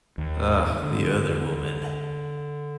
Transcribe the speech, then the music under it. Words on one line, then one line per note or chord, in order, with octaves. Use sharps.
Ah, the other woman!
D#2
D3